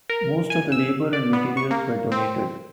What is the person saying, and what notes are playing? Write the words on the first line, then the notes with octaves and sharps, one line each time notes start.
Most of the labour and materials were donated.
A#4
G#5
E6
D5
B3
C#6
A#3
C4